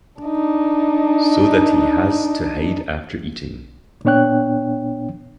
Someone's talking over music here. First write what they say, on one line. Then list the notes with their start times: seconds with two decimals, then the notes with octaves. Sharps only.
So that he has to hide after eating.
0.22 D4 D#4
4.05 A#2 B3 D4 C#5 G5 F#6